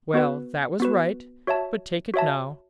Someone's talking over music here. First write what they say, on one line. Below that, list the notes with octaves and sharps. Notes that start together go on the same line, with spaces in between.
Well, that was right, but take it now.
B3 F#4 B4
B3 F#4 B4
F#4 C#5 E5 A5
F#4 C#5 E5 A5